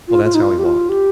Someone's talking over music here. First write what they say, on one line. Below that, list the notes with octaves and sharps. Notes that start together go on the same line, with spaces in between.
Well, that's how he walked.
F4
F4
D#4
F4
G4
F4
G4